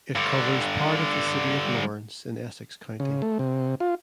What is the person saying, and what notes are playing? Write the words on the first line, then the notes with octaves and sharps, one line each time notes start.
It covers part of the city of Lawrence in Essex County.
G2 D3
C#3
A3
C3
F4